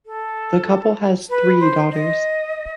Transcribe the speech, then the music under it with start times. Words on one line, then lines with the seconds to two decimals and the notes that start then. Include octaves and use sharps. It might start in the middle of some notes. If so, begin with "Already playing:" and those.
The couple has three daughters.
0.06 A4
1.30 B4
1.60 C5
1.91 D#5